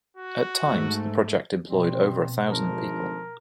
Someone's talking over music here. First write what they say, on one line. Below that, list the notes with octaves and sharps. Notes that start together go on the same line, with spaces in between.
At times, the project employed over a thousand people.
F#4
G#2 A3
B2 F3 G3 C4
G#1 D2 F3 A#4